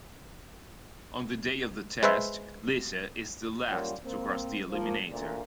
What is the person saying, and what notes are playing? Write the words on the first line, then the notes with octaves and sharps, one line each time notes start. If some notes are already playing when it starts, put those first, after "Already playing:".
On the day of the test, Lisa is the last to cross the Eliminator.
G#3 B4 C5 E5
F#2 F#3 G3 A#3 C#4 F4
A#3 C4
F3 A#3
D2 A#2